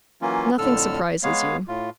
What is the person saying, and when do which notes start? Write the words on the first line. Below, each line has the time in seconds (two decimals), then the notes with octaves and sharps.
Nothing surprises you.
0.22 E3 F#3 A#3 C#4 F4
0.58 F2 A2 D3 A4 E6 F6
1.23 G#3 B3 C#5 F5
1.68 A2 F4